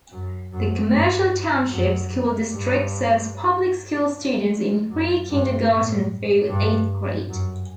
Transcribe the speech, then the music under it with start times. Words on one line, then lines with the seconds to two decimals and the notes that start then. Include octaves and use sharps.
The Commercial Township School District serves public school students in pre-kindergarten through eighth grade.
0.12 F#2
0.52 F#2
0.91 G2
1.71 F#2
2.51 G2
4.89 F#2
5.30 G2
5.70 A2
6.49 G2
7.29 F#2